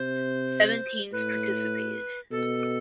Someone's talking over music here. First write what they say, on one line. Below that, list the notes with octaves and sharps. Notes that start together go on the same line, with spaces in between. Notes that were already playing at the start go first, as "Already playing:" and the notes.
Seven teams participated.
Already playing: C3 C5
A2 B4
B2 A4